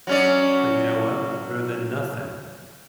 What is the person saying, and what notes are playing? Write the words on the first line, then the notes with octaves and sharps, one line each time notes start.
But you know what? Better than nothing.
F#3 C#4 D5